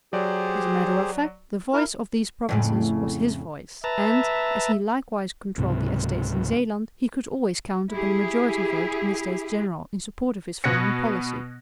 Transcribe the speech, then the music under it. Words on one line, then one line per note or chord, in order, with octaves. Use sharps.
As a matter of fact, the voice of these provinces was his voice; and, as he likewise controlled the Estates in Zeeland, he could always count upon a majority vote in the States-General in support of his foreign policy.
F#3 G4 G#4 C5 D5
E4 A#4
F2 A2 C#3
B4 E5 A5 A#5
C#2 G#2 C3 F#3
E4 G4 G#4
B2 B3 F#6 G#6 A#6 C#7